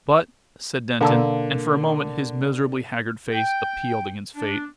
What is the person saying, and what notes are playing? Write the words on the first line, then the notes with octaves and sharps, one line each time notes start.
"But--" said Denton, and for a moment his miserably haggard face appealed against fate.
B2 D3 A#3 A5 E6
G5
D4